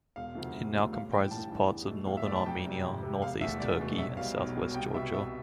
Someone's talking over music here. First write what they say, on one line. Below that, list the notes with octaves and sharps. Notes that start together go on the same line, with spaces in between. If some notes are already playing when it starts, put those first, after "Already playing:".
It now comprises parts of northern Armenia, northeast Turkey, and southwest Georgia.
E1 F5
D2 C3 F3 A3
E1
D2 C3 F3 A3
A1 F5
G2 E3 G3 G5
A1 A5
G2 E3 G3
E2
B2 A3
E2 F5
E5
B2 A3 D5
A5
F2 G5
C3 G3
F2
C3 G3
E1 F5
E2 B2 A3 E5
E1 D5
E2 B2 A3
B1 E5
B2 G3 F5
B1
B2 G3
C2 G5
B2 G3 E5
C2 E5